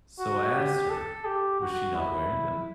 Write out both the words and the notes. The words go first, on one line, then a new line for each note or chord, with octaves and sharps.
So I asked her — 'Was she not wearing them?'
F#4
G4
A4
G4
F#4
E4